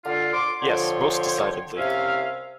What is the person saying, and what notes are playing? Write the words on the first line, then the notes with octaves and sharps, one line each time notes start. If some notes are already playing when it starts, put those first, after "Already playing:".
Yes, most decidedly.
D3 F4
C6 D6
D3 F3 C#5 G5 C6
C2 C3 C#4 E5 F5